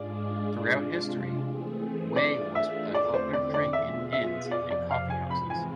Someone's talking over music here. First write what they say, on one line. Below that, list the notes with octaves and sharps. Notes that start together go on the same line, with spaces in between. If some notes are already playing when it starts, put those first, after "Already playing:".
Throughout history, whey was a popular drink in inns and coffee houses.
Already playing: G#2 G#3 D4 F4 G#4 D5
C3 G#3 D4 F4
E3 A3 C4 G#4
E3 A3 D4 F4 G#4 D5
E5
E2 D3 A3 C4 D5
C5
D5
D5
B2 B3 F4 G#4 E5
E5
F2 C3 F3 D5
D5
F5
G#5
G#2 E3 G#3 C4 F4 B5
G#5